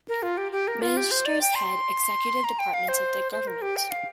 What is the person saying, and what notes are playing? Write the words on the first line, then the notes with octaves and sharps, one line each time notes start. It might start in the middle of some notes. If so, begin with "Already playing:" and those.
Ministers head executive departments of the government.
A#4
F4
G4
G4
A#4
F4
G4
C5
D5
G5
C6
A#5
G5
F5
C5
C5
A#4
G4
G5
F5